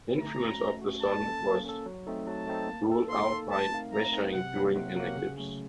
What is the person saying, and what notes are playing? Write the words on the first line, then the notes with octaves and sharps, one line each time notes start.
Influence of the Sun was ruled out by measuring during an eclipse.
A3 A#5
C#4 F#4
A3
C#4 F#4
A#3 A5
C#4 A4
A#3
C#4 A4
F#3
A3 C4 D#4 A4
F#3 A5
A3 C4 D#4 A4
A#3
D#4 A4
A#3 C6
D#4 A4
A3 A5
C4 D#4 A#4 F5
A3 A#5
C4 D#4 A#4 F5
C3 F#5
F#3 A#3
C3 F#5
F#3 A#3
C#3
F#3 A3 C#4